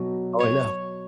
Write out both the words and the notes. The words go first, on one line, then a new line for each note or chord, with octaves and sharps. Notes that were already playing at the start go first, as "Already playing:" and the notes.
Oh, I know.
Already playing: B2 F#3
C#5